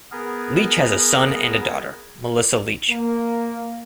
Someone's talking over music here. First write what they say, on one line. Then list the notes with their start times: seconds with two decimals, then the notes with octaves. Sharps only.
Leach has a son and a daughter, Melissa Leach.
0.12 B3 G#4 A#4
2.89 A#3